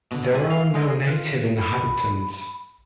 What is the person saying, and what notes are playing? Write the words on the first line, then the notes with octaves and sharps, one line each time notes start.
There are no native inhabitants.
B2 D3
C2 A2 C3 A3 E4 G#5
F5
G#3 D#4 D#5
G#4
D#3 F4 B4
B5